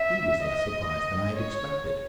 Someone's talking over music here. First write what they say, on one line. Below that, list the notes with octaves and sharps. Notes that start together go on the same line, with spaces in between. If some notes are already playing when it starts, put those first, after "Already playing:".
He was less surprised than I had expected.
Already playing: E5
D#5
C#5